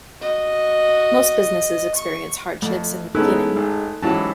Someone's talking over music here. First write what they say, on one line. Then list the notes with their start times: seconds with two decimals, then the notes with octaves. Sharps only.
Most businesses experience hardships in the beginning.
0.21 F#4 D#5
1.96 C#6
2.62 F2 A3
3.15 G#3 B3 C#4 D#4 E4 A4 F#6
3.56 G#1
4.02 G#2 E3 F#3 C#4 E4 G4 A5